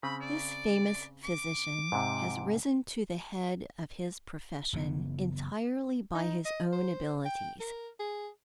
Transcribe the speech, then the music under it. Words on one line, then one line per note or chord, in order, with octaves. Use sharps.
This famous physician has risen to the head of his profession entirely by his own abilities.
C#3 C4 B5
D5
D6
G#2 C3
F#1 C#3 E3 B3
D#4
D#5
C5
G5
A#4
G#4